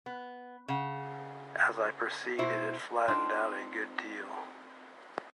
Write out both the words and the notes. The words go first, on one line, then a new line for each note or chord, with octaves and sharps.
As I proceeded it flattened out a good deal.
B3
C#3 F#5
B2 E4 C5
C4 D4 D#4 F4